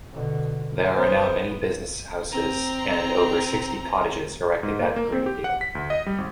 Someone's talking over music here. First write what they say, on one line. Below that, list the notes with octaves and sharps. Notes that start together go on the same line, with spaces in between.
There are now many business houses and over sixty cottages erected at Greenfield.
B2 D3
F#2 B3 C5
C4 A#5
G#2
A#3
A#3
C4
G4
F#5
B6
D2
D#5
G3
G#1